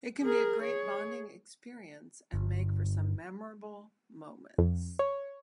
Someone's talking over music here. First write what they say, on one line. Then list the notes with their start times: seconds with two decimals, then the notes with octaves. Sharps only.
It can be a great bonding experience and make for some memorable moments.
0.22 G#4 A#4
0.63 G#4 C#5
2.34 G1
4.58 F2
4.99 C#5